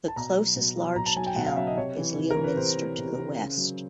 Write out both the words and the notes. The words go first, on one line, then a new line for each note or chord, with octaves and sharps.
The closest large town is Leominster to the west.
A5
B2 A#5
F#3
B2
F#3
B2 A#5
A5
F#3 G#5
G5
B2 F#5
F5
F#3 E5
D#5
C3 C#5
E3
C3
A#4
E3
B4
C3 C5
E3
C3
E3
C#3
F#3